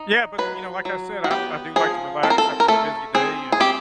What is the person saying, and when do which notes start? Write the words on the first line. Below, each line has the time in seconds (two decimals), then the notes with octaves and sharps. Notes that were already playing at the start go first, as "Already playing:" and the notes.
Yeah, but you know, like I said, I I do like to relax after a busy day, and
Already playing: D#4
0.38 F#3 B4
0.85 F#3
1.24 F#4
1.31 B3 G4
1.76 F3 G#4
2.23 C4 A4
2.30 A#4
2.38 A4
2.60 A#4
2.68 A3 A4
3.15 C4 G#4
3.52 G#4
3.60 C4 G4